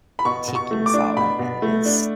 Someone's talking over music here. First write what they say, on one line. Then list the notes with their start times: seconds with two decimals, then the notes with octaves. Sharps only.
tiki masala and it is
0.19 B5
0.25 B2 C#6
0.48 B2
0.55 C#6
0.71 A3
0.86 D6
0.94 D4
1.17 B2 B5
1.39 B2
1.62 A3
1.85 D4